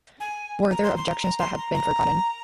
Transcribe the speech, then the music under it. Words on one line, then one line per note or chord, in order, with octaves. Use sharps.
Were there objections that had been forgotten?
G#5
A#5
C6
C6
A#5
A#5
C6
A#5
A#5